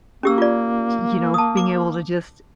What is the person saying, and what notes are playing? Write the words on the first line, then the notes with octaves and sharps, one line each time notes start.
y you know, being able to just
A#3 C#4 G4 E6
F4 D5
A5 D#6
D6